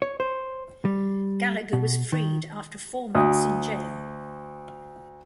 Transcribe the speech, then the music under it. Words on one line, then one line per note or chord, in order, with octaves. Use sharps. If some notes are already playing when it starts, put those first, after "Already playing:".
Gallagher was freed after four months in jail.
C#5
C5
G3
B2
D#3
D2 D#6